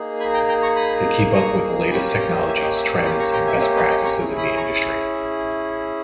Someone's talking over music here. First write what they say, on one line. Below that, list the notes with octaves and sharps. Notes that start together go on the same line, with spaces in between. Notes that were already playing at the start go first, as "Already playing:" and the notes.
They keep up with the latest technologies, trends, and best practices in the industry.
Already playing: A#3 D#4 G#4
G#5 B5
G5 A#5
G5 A#5
A#5 C#6
B5 D#6
A#5 C#6
A#3 C#4 G4 G#5 B5
G5 A#5
E5 G#5
D#5 G5
E5 G#5
B5 D#6
A#5 C#6
G5 A#5
E5 G#5
C#5 E5
B4 D#5
D#5 G5
A#5 C#6
C#4 E4 G#4 A#5 C#6
B5 D#6
A#5 C#6